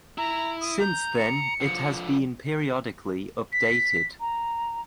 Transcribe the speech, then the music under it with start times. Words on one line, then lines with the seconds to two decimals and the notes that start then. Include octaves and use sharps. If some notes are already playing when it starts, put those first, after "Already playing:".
Since then it has been periodically updated.
0.18 E4 A#5
0.61 D#6
0.80 A#5 G6
1.17 C#7
1.61 D3 F3
3.52 B6
4.20 A#5